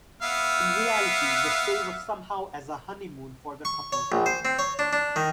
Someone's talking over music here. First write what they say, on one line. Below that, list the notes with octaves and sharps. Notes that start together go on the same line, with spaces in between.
In reality, the stay was somehow as a honeymoon for the couple.
B3 E5 F5
C#6
C#5
A#1
C5
C4
C#5
D4
D4
D#3